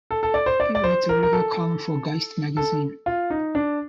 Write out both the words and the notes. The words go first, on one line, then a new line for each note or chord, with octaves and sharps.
He writes a regular column for "Geist" magazine.
A4
A4
D5
C5
D5
D5
C5
A#4
A#4
A4
A4
F4
D#4
D4